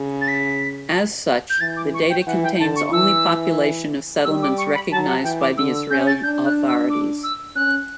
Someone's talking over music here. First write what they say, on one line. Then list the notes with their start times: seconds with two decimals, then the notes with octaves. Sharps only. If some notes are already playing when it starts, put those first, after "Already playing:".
As such, the data contains only population of settlements recognized by the Israeli authorities.
Already playing: C#3
0.21 A6
0.28 B6
1.50 G6
1.60 E3 A6
1.77 D6
1.94 C#6
2.10 G5
2.27 E3 F#5
2.43 G5
2.60 D3 A5
2.76 C#6
2.93 E3 E6
4.25 G3 E6
4.42 D6
4.58 C#6
4.75 B5
4.91 F#3 A5
5.08 F#5
5.24 E3 G5
5.41 D6
5.58 D3 E6
5.75 E6
5.91 C#4 G6
6.07 A6
6.23 D4 G6
6.46 F#6
6.68 E6
6.90 D6
7.24 E6
7.55 C#4 F#6